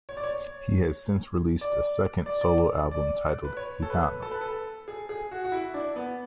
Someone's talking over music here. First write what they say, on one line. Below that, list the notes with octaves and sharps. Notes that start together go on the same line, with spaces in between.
He has since released a second solo album titled "Gitano".
C#5
D5
C#5
D5
D5
D5
D5
B4
C#5
A4
B4
A4
B4
A4
G#4
G#4
F#4
F#4
E4
D4
B3